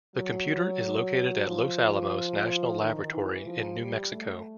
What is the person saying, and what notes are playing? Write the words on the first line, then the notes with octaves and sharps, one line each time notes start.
The computer is located at Los Alamos National Laboratory in New Mexico.
F#3
F3
D#3
E3
F3
G3
A3